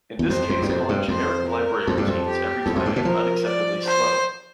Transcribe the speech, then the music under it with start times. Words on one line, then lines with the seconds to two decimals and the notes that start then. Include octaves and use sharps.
In this case, calling generic library routines every time is unacceptably slow.
0.19 E2
0.30 F2 C5
0.49 F2
0.62 G2
0.69 F2 C5
0.89 G2
1.08 F2 C5
1.48 A#4
1.87 F2 A4
1.98 G2
2.07 F2
2.27 G4
2.65 E2 A4
2.76 F2
2.86 G2
2.96 A#2
3.05 F3 A#4
3.45 D5
3.85 C5